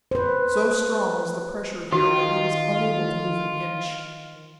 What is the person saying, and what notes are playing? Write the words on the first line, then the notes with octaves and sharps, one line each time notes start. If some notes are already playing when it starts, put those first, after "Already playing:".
So strong was the pressure here that he was unable to move an inch.
B4 C5
D#3 F4 F#4